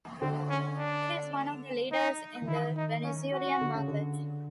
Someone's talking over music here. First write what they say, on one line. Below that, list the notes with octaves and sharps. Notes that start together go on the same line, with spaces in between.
It is one of the leaders in the Venezuelan market.
D3 C4
C#4
D4
D#4
E3
D#3 E4
D#4
C#4
F#4
D3
C#3
D3